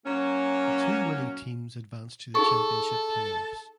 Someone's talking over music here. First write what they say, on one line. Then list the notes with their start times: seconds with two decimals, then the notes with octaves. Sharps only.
The two winning teams advanced to the championship playoffs.
0.06 F#3 A#3 C#4
2.35 D#4 G#4 A4 C#6